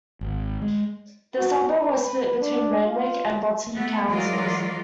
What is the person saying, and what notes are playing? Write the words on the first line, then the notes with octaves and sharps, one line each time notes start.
The suburb was split between Randwick and Botany Councils.
G#1
G#3
F#4
B4
B4
D4
F4
A3 B3
E3 F#3 G#3 F4 A#4 D5